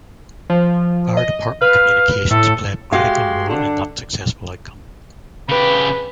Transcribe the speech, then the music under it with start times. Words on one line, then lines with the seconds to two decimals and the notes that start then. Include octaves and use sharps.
Fire department communications play a critical role in that successful outcome.
0.50 F3
1.17 D#5
1.61 B4 F5
2.31 A2 A4
2.92 G#3 F#4 G4 F5 C6
3.49 D3 D4
5.49 C#3 G4 B4